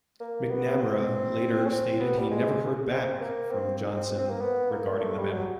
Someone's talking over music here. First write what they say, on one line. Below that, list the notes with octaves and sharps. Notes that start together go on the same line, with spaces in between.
McNamara later stated he "never heard back" from Johnson regarding the memo.
A#3
B3
C4
C#4
C4
B3
G3
G#3
C4
A#3
C4
C4
C4
A#3
B3
A#3
A3
G3
F#3